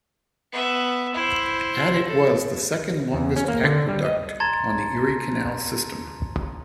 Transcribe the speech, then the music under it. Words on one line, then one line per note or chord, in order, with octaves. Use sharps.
At it was the second-longest aqueduct on the Erie Canal system.
B3 E5
E4 C5
A4
E2
C#4
A#3
D3
G3
D#5
A5 A#5 C6 G#6 A6